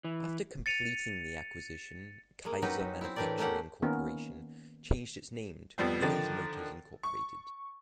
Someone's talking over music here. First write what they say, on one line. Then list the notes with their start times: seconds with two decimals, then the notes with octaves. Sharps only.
After completing the acquisition, Kaiser Manufacturing Corporation changed its name to Willys Motors, Incorporated.
0.04 E3
0.66 A6 C#7 D#7 F7
2.45 G#3 A#3
2.62 F#3 C#4 D#4 F#4 G4 B4
3.01 C4 E4
3.16 A2 E3 D4 G4 A#4 D5
3.38 A3 A#3 C#4 G4 F#5
3.82 D#3 A#3 B3 C#4 A#4
5.78 F2 F3 G3 B3 C4
6.02 D3 D#3 F3 A#4 A6
7.03 C#6